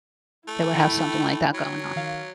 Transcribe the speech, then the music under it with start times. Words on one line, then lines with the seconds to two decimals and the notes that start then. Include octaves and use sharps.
they would have something like that going on.
0.48 A3 E4
0.79 G5 B5
1.54 F#3
1.96 D#3 F5